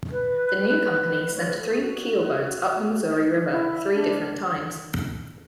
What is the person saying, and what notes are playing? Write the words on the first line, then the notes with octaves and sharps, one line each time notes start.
The new company sent three keelboats up the Missouri River, three different times.
B4
C#5
B4
A4
G#4
F#4
E4
D4